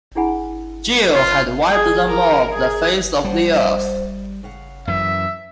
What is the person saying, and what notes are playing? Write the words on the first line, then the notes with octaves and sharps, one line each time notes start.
Gill had wiped them off the face of the earth.
D4 E4 G#4 F#5 G#5 B5
F4
G#4
A#4
G#4
G3 C5 F#5 A5
C#3 F5 F#5
F#2 E3 E5